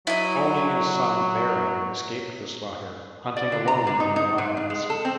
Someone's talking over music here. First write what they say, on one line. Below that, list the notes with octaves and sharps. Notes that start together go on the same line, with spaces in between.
Only his son Beren escaped the slaughter, hunting alone in the wilds.
F#3 E4 D#5
D5
D3
A#5
D3
D#4
D#4
G#2
F2
G#3
A4
C4